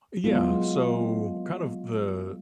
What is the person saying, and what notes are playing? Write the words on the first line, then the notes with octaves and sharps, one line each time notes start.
Yeah, so, kind of the
F#3 G#3 B3 E4 F4